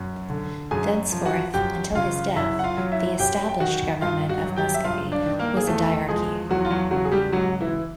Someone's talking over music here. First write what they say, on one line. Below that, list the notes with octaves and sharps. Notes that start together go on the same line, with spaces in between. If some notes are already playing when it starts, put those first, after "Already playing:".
Thenceforth, until his death, the established government of Muscovy was a diarchy.
Already playing: F#2
D3
F#2 G#4 G#5
F3
F#4 F#5
F#2 G4 G5
C#3 F4 F5
F#2 E4 E5
F#5
F4 F5
F#3
E4 E5
F#2 G4 G5
G5
D#3 F#4 F#5
G2 F4 F5
F#4 F#5
F#3
G4 G5
E5
G2 F4 F5
D4 D5
D#3
A#3 A#4
G#4
E2 A3 A4
F3 G#3 G#4
E2 F#3 F#4
F4
F#3 F#4
C#3 F#3 F#4
G#4
G3 G4
G#2 F#3 F#4
E3 E4